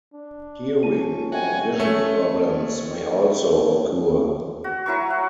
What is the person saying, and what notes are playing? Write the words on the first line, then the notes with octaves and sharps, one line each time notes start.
Hearing or vision problems may also occur.
D4
C#4 F4 A5 D#7
F#3 F#4 C#5 E5 G5 G#5
A3 C#4
F#4
F#3 E4 A#4 C#6
F#5